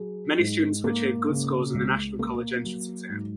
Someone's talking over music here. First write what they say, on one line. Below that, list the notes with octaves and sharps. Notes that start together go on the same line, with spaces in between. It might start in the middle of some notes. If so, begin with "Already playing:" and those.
Many students have achieved good scores in the national college entrance exam.
Already playing: F#3 G#4
G#2
A#3
C#3
C#2
A#3
F#3
G#2